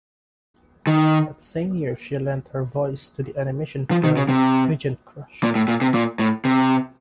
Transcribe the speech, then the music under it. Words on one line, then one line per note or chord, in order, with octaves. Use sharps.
That same year she lent her voice to the animation film "Agent Crush".
D#3
F3
D#3
C#3
C3
A#2
A2
A#2
C3
A#2
A2
C3